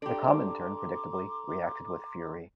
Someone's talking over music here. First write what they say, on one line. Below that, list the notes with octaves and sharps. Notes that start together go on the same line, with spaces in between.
The Comintern, predictably, reacted with fury.
D4 G4 A4 A#5 C6 D6